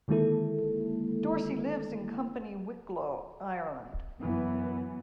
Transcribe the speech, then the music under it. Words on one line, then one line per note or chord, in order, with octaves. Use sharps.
Dorcey lives in Company Wicklow, Ireland.
D3 D#3 G#3 A#3 E4 A4
F#2 E3 B3